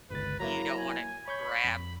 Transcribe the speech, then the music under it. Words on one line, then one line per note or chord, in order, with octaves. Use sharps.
you don't wanna grab
G1 C#2 B4 A6
F#3 A#3 E4 A#5
G#5
C#5 B5 C#6 G6
F2